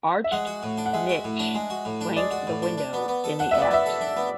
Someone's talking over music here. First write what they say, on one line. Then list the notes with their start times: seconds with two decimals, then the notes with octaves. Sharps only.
Arched niches flank the window in the apse.
0.24 E5
0.31 G#3 F#5
0.47 F#4
0.63 A2
0.77 D4
0.86 F#5
0.93 G#3 E5
1.09 F#4
1.24 A2
1.39 D4
1.55 G#3
1.70 F#4
1.85 A2
2.01 D4
2.17 G#3 D5
2.31 F#4
2.47 A2
2.62 D4
2.78 D4
2.93 B3
3.08 B3
3.24 A4
3.39 D4 F#5
3.51 B3 E5
3.62 D5
3.71 B3 E5
3.86 A4
4.01 D4
4.16 B3